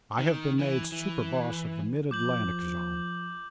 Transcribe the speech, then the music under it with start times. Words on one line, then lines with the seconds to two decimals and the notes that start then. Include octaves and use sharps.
I have been made Superboss of the Mid-Atlantic Zone.
0.18 D#3
0.59 E3
0.92 E3
2.11 F3 D6 G6 F#7